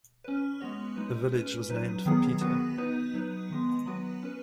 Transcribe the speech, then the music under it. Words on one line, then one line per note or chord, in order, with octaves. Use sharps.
The village was named for Peter.
C#4 B4
G#3 B3 F#4 C#5
G#3 D#4 B4
C#4 B4
F#3 D#4 B4
D#3 F#3 B3 G#4
D#3 B3 F#4 B4
B3 D#4 B4
F#3 D#4 B4
D#3 G#3 B3
F#3 B3 F#4 B4
C#4 B4